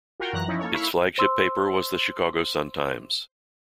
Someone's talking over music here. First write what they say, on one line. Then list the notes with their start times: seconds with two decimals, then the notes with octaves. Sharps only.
Its flagship paper was the "Chicago Sun-Times".
0.20 F4 F#4 A#4 F#5 G5
0.33 F#2 E3 A#5 F#6 A#6
0.47 F3 C#4 D#4 E4
0.59 A#3 A4 C#5
0.73 E4 E5 F5 B5 C#6
1.18 C5 C6 E6